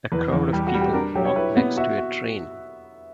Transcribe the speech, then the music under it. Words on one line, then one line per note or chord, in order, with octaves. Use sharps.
A crowd of people walk next to a train.
E2 B4
E2
G3 G4
F#4
G3
G4
D4 A#4
F#3 G4
C#5
E4 B4
B3
F#4 E5
F#4